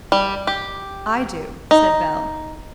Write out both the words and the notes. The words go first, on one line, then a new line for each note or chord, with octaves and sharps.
"I do," said Bell.
G3
G4
D#4